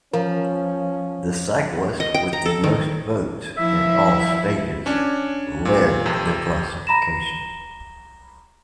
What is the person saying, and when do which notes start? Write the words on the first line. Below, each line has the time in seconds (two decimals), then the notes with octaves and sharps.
The cyclist with the most votes in all stages lead the classification.
0.13 F3 C#4 A#4
2.00 D#5
2.14 G5
2.33 A#5
2.46 A4
2.64 D#3
3.58 F3 E4 E5
4.86 C#4 D4 C#5
5.65 A#2
6.05 F2 C3
6.87 A#5 B5 A#6 E7